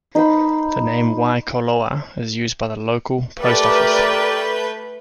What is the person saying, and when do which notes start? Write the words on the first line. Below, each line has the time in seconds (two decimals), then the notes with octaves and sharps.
The name Waikoloa is used by the local post office.
0.15 D#4 C5 B5
3.43 A3 G4 A#4 B4 D5 G6